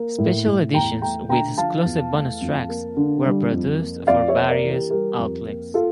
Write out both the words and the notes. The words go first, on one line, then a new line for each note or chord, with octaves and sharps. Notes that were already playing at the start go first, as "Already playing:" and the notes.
Special editions with exclusive bonus tracks were produced for various outlets.
Already playing: A#3
A2
A2
E2 G5 A#5
A3 G5 A#5
D3 G5 A#5
F3 F5 A5
E2
A3
F2
A#3
D3
G3
F2
A#3
F2 D5 F5
C#5 E5
A#3
A#4 D5
E3
G4 A#4
G3 G4 A#4
F2
A#3
F4 A4